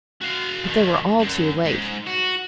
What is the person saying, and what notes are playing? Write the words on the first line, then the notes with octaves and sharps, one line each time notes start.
But they were all too late.
F#4 F5
F2 D#3
F#2
G#2
F#4